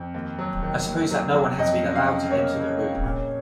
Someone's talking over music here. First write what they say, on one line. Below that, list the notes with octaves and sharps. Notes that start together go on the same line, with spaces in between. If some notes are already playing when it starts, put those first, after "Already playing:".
I suppose that no one has been allowed to enter the room?
Already playing: F2
D#2
F#3
D#3
D#2
F#3
F#3
F2 D#5
C#3
F5
C#3
A#3 C#5
C#3
C#3
A#2